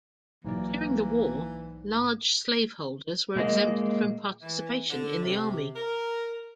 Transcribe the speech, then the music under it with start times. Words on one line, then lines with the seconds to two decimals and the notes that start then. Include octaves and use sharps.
During the war, large slaveholders were exempted from participation in the army.
0.45 B1 G#2 E3 A#3 D5
3.36 A#2 G#3 A#3 D#5
4.40 E3
4.89 D3
5.22 C3
5.74 A#4